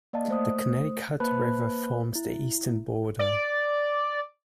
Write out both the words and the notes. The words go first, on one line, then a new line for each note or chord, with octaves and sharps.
The Connecticut River forms the eastern border.
A#3 D5 D#5 F5 A5
A3 C5 D#6
A#3 B4 C5 A5 B5 F#6
E4
D5